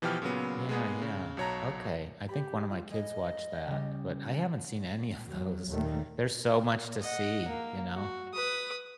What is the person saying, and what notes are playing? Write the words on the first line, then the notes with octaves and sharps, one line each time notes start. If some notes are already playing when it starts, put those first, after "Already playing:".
Yeah, yeah, okay, I think one of my kids watched that, but I haven't seen any of those. There's so much to see, you know?
B2 E3 F3 G4 G5 F6
A#2 C#3 F#3 B3
G#3 A#3 B3 G#4
C#3
B1 F#3 C#5 A5 A#5
G4 B5
F4
G#3 D#5
C#3 G3
F#3
D#2 A#2 D#3 A3
D#5 F#5
A#3
F#4
B4 D#6